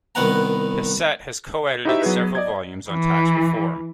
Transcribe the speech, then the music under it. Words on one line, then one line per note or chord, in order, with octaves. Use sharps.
Hassett has coedited several volumes on tax reform.
C2 D#3 B3 F#5 A#5
D#4 E4 F#4 G4 C5 E5
F#3 B3 G#4 B4
D5 D#5 G#6
E3